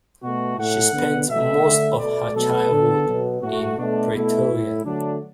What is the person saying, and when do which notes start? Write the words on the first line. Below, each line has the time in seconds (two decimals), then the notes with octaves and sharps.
She spent most of her childhood in Pretoria.
0.22 B2 A3 F#4
0.57 A2 A3 F#5
0.92 D3 B3
1.28 B2 A3 E5
1.64 D3 A3
1.99 B2 A3 D5
2.35 B2 F#3 A3 A4
2.70 D3 B3
3.06 B2 F#3 B3
3.41 A2 A3 F#4
3.77 B2 A3 D4
4.13 B2 A3 E4
4.49 A2 A3
4.84 D3 F#3 A3 D4